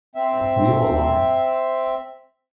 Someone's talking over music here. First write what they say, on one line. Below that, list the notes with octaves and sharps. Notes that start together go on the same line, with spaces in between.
We all are.
C4 E5